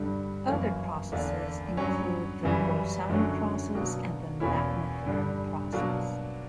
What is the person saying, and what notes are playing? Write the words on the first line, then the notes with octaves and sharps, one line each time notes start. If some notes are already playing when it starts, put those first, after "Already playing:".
Other processes include the Bolzano process and the magnetherm process.
Already playing: G2 D3 G3
F#2 E3 A#3 C#4
E2 D3 A#3 D4
G2 F#3 C#4
F#2 C#3 E3 G3
F#2 D3 F#3 C#4
B2 F#3 A#3 D4
E2 B2 A#3 C#4 E4
G2 D3 G3
B2 F#3 A#3 D4